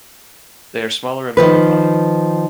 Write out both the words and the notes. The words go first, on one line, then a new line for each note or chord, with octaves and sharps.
They are smaller and more refined.
D#3 F3 B4